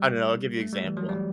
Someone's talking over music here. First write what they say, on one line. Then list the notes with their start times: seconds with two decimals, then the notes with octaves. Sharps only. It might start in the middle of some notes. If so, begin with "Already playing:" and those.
I don't know, I'll give you example.
Already playing: G3
0.60 A3
0.73 G3
0.84 E3
0.97 F#3
1.09 G3